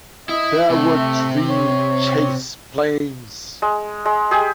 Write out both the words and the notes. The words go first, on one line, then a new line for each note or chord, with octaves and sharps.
There were three chase planes.
E4 D#5
C3 A3
C#5
G#3
G#3
G4 G#4